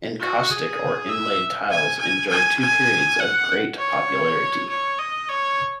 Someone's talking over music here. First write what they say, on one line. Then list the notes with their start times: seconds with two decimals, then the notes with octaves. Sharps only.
Encaustic or inlaid tiles enjoyed two periods of great popularity.
0.20 F#4
0.51 G#4
1.10 E5
1.71 G#5
1.99 G#5
2.29 G#5
2.60 G#5
3.20 F#5
3.79 C#5
4.70 C#5
4.99 D#5
5.29 C#5